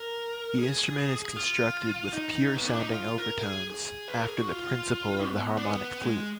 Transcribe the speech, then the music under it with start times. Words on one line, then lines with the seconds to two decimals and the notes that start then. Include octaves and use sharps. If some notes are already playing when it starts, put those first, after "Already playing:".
The instrument is constructed with pure sounding overtones, after the principle of the harmonic flute.
Already playing: A#4
0.58 G#4
1.36 F4
2.13 D#4
2.56 B3
2.68 D4
2.79 D#4
2.92 F4
3.18 A#4
3.43 G#4
3.70 G#4
4.08 B4
4.18 A#4
4.28 G#4
4.38 F#4
4.48 F4
5.26 B3
5.57 D4
5.65 B3
6.03 G#3